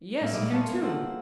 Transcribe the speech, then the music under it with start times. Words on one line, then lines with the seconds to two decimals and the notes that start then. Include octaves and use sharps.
'Yes, and him too.
0.20 A2 G#3 A#3 E5 F5
0.32 A#1 G3 D5 D#6 D#7
0.51 D#4 C#5 F5 G#5 A5 C6
0.66 A#3 B3 A#4
0.82 F4 G4 G#4 C5 F#5 E6